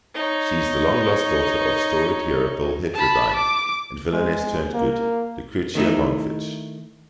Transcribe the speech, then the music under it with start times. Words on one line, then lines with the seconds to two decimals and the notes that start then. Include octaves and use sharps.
She's the long-lost daughter of storied hero Bill Heterodyne and villainess-turned-good Lucrezia Mongfish.
0.15 D#4 C#5
2.94 A5 B5
3.35 D6
4.12 G#3
4.74 A#3
5.75 D#3 A3 D#4 E4